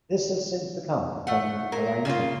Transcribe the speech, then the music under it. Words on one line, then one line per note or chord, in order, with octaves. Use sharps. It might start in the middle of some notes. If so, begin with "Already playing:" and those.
This has since become a permanent arrangement.
A3 F#5
A#2 A#4
C#3 A#3 C#4 F4